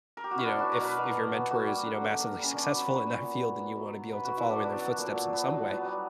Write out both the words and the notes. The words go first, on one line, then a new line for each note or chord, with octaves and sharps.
You know, if if your mentor is, you know, massively successful in that field, then you wanna be able to follow in their footsteps in some way,
A#4
G4
F#4
E4
B3 D4
F#3 F#4
A#4
B2 B4
B2 A#4
B3
F#3
A#3 F#4
G3
D3
D3
A#3
G3
C#4
B3 D4
F#3 B4
C#5
A#2 B4
A#2 C#5
B3
F#3
B3
F#3
B2
B2 B4
B3 F#4
E4
F#3 D4
B3 D4
F#3
A#2
A#2
B3
F#3
B3
G3